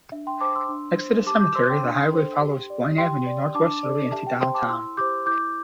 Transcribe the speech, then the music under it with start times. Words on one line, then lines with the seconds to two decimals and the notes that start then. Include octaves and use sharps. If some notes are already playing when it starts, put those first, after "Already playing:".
Next to the cemetery, the highway follows Boyne Avenue northwesterly into downtown.
0.12 D4 E5
0.27 G5 C6
0.41 C5 A5 D6
0.56 C6 E6
0.69 D4
0.98 C5
1.26 G4 A5 D6
1.40 D6 G6
1.55 C5 C6 E6
1.69 G5 C6
1.84 D4
2.12 A4 C5
2.41 G4
2.70 D5
2.98 G4 G5 C6
3.26 D5
3.55 D4 A5 D6
3.83 A4 D5
4.12 G4 E5 A5
4.27 G5
4.40 C5 G5 C6
4.54 A5 D6
4.69 E4 C6 E6
4.97 G4 C5 D6 G6
5.26 E4 D6 G6